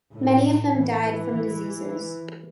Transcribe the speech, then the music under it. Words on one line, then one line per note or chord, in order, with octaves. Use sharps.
Many of them died from diseases.
A2
E3